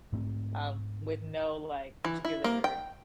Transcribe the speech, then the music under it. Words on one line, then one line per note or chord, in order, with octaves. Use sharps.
um, with no, like, particular,
G#2 A3 C4
E3
E4
A#3
G5